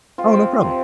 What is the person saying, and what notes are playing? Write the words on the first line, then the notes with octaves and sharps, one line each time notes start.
Oh, no problem.
C4 F4
C3